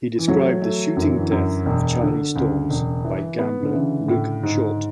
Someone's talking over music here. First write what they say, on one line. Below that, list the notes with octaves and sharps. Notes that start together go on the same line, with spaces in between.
He described the shooting death of Charlie Storms by gambler Luke Short.
E3
F#3 A3
A3
F#2 E3
D3
E3
F#2
E1
D3
D2 C#3
E1
E3
B3
D3
C#3 E3
A2
G#2